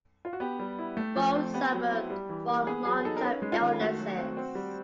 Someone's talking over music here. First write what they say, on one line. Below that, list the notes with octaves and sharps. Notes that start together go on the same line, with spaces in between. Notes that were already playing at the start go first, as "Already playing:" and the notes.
Both suffered from long-term illnesses.
F4
F#4
B3 G4
G3
E4
A3
F3
C4
B3 G4
F#3
E4
G3
E3
A#3
B3 G#4
F#3 G#4
D#4 A4
A#4
C#4 B4
G#3
F4
D#3
A3 F#4
F#3
C4
C4
G3